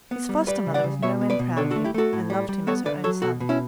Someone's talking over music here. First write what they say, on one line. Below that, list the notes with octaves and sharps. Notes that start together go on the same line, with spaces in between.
His foster-mother was no end proud of him, and loved him as her own son.
B3
G3
G3 B4 D5
C#3
D5 F#5
C#3
B2 C#5 E5
B3
B4 D5
B2
D3 A4 C#5
F#4 A4
A3
E4 G4
A3 F#4 A4
A2
G3
G3
B3 A4 C#5
D3 B4 D5
F#3 A4 C#5
B2 F#4 A4
B2
C#4 E4